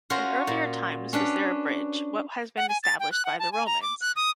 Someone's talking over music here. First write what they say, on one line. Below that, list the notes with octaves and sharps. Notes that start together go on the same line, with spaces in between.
In earlier times was there a bridge, what has been established by the Romans.
C#4 F4 F#4 A#4 C5 C#5
A#2
C#4 D4 B4
F#5
G#5
A6
G5
F#6
F#5
A5
G#5
A#5
D6
F#6
D#6